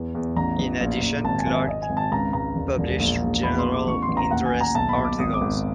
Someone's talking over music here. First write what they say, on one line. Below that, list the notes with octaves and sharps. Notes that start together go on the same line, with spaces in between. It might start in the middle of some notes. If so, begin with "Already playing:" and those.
In addition, Clarke published general interest articles.
Already playing: E2
E2
A1 A#5
A1
A#1
A#1
G#1 A5
G#5
G#1
E5
G#1 D#5
G#5
G#1
A5
C#2 A#5
C#2 A#5
E1
E1
A#1
A#1
E2 B5
C6
E2
D6
A1 C#6
C6
A1
A#5
D#2 F#5
G#5
D#2
A#5
B1 A5
B5
B1
D6
G#1 D#6
D6
G#1